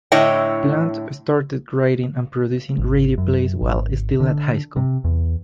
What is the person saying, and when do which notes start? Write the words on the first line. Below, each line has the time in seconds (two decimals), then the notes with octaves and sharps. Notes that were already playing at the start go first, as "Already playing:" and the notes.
Plant started writing and producing radio plays while still at high school.
0.12 A2 D3 E4 C#5 D#5 G5
2.78 G#1
3.18 F#2
3.62 G#1
4.20 D3
4.76 C3
5.04 E2